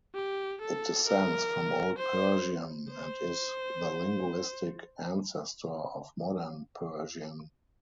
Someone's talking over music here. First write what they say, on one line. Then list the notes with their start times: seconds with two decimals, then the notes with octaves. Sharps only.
It descends from Old Persian and is the linguistic ancestor of Modern Persian.
0.15 G4
0.61 A4
1.07 A#4
1.98 C5
2.91 C5